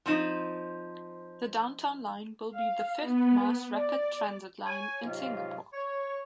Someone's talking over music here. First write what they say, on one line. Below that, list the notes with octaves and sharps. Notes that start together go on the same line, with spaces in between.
The Downtown Line will be the fifth Mass Rapid Transit line in Singapore.
F3 C4 D#4
F5
B3
D5
C#5 G#5
G#2 C3 F#3 G#3 F4
C#5